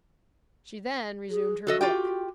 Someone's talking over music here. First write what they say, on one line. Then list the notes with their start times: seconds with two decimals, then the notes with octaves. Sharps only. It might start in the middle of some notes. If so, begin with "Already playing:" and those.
She then resumed her book.
1.30 G#4
1.67 F#3 F#4 A4 D#5
1.81 F4 G4 G5